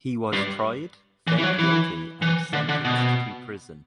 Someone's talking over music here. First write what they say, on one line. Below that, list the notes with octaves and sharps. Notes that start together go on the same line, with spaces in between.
He was tried, found guilty and sentenced to prison.
G2
E3
E3
F#3
E3
E3
D3
D3
B2